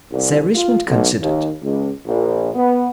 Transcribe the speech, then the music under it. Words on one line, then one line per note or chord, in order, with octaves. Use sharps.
Sir Richmond considered.
C2
F4
B1
D#2
C#2
A#1
B3